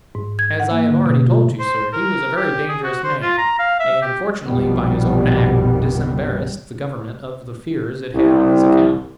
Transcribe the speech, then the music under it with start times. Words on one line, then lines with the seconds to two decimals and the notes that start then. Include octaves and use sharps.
"As I have already told you, sir, he was a very dangerous man; and, fortunately, by his own act disembarrassed the government of the fears it had on his account."
0.15 G#2
0.39 G#6
0.60 F#5
0.71 A#3
0.89 D3
1.06 B2
1.27 F4
1.59 C5
1.93 A#4
2.36 G4
2.69 G#4
2.84 F#4
3.04 C5
3.22 F4
3.38 A#5
3.59 F5
3.80 E5
4.02 G4
4.46 A#1 F2 B2 D#3 G3 B3
8.14 C2